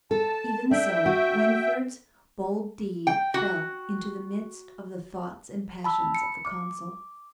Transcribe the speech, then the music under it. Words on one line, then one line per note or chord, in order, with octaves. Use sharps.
Even so Winfried's bold deed fell into the midst of the thoughts and passions of the council.
A4 A5
D4 E5 G5
F#4
G5
F#4
A5 B5 E6
C#7
D6